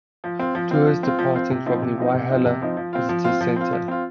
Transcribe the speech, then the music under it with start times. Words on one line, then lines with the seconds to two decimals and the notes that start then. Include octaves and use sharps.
Tours departing from the Whyalla Visitors Centre.
0.24 F3
0.39 C4 F4
0.55 F3
0.71 C4 F4
0.87 F3
1.03 C4 F4
1.19 F3
1.35 C4 F4
1.50 C3
1.66 F3 C4 D#4
1.82 C3
1.98 F3 C4 D#4
2.14 C3
2.30 F3 C4 D#4
2.45 C3
2.62 F3 C4 D#4
2.77 F3
2.93 C4 F4
3.09 F3
3.24 C4 F4
3.41 F3
3.56 C4 F4
3.73 F3
3.88 C4 F4